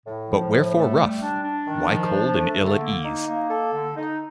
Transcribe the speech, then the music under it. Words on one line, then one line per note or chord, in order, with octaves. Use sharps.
But wherefore rough, why cold and ill at ease?
A2
F3
A2
A3
G3
D4
D4
D#3
F3
D4
A3
D3
A#3
D#4
A#3
A4
D3
D#4